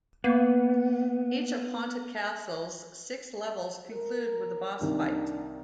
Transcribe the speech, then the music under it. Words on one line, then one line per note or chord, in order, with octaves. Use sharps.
Each of "Haunted Castle"'s six levels conclude with a boss fight.
A#3 B3
A#4
C2 D#3 D4